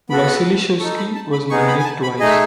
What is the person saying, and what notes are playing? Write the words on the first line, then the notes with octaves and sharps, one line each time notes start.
Vasili Shuisky was married twice.
B3 F#4 A4 B5
D#4 A4 C#6
B5
A5
B5
B3 D#4 G#4 C#6
B5
G#5
A5
B5
A3 D#4 G#4 D#5
E5